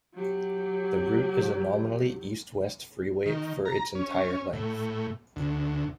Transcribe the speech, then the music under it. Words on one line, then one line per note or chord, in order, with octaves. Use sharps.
The route is a nominally east-west freeway for its entire length.
F#3 G4
D#3
A#5
C#4
A2
D2